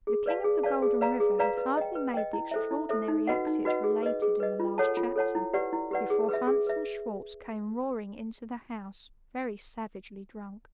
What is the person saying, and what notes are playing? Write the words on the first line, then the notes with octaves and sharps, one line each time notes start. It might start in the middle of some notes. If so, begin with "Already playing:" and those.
The King of the Golden River had hardly made the extraordinary exit related in the last chapter, before Hans and Schwartz came roaring into the house very savagely drunk.
G#4
B4 D5 F5 A5
G#4
B4 D5 F5 A5
G#4
B4 D5 F5 A#5
G#4
B4 D5 F5 A#5
B4
D#5 G5
B4
D#5 G5
E4
A4 C5 E5
E4
A4 C5 E5
D#4
F#4 B4 D#5 F#5
D#4
F#4 B4 D#5 F#5
G#4
B4 D#5
G#4
B4 D#5
F4
A4 C#5 F#5 A5
F4
A4 C#5 F#5 A5
E4
G4 B4 D5 F#5
E4
G4 B4 D5 F#5
G#4
B4 E5
G#4
B4 E5